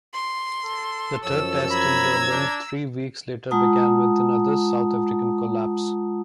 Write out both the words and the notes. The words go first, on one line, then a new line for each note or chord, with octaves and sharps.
The Third Test in Durban three weeks later began with another South African collapse.
C6
A4
F#2 F3 C#5 E6
A#5 B5 G#6
D4
G#3 F4 F#5 A5 A#5 D#6